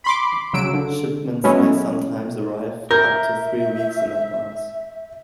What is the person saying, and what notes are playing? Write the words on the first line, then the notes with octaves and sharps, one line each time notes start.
Shipments may sometimes arrive up to three weeks in advance.
B5 C6 D6
C#3 F#3 E6 D7
D3
F#3 G#3 B3 C#4 E4
A#4 E5 G6